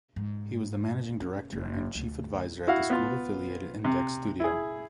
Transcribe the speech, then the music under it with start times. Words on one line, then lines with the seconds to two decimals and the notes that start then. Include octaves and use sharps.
He was the managing director and chief advisor at the school-affiliated Indeks Studio.
0.16 G#2
1.21 C#4
1.52 F#1
1.95 D2
2.67 E4 F#4 F5
2.90 B3 F4
3.84 C3
4.40 E4 G#4